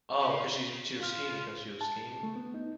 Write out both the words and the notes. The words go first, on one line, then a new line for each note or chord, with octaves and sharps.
Oh, 'cause she's she was skiing 'cause she was skiing?
C#3
F4 F6 B6
A5
A3
B3
D#4